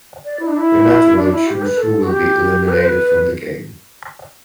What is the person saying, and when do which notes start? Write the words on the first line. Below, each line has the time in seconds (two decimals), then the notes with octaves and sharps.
Renato will choose who will be eliminated from the game.
0.25 D5
0.40 E4
0.48 D4
0.57 E4
1.16 D4
1.32 E4
1.47 G4
1.62 B4
1.77 A4
2.03 F#4
2.08 G4
2.69 B4
2.77 C5
2.85 B4